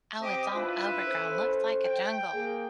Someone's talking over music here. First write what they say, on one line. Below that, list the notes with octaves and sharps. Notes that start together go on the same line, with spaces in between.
"Oh, it's all overgrown. Looks like a jungle."
C4 G4 D#5 D6
D4 E4 F4 B4
C#4 A4 C5
G5
A#3 G#4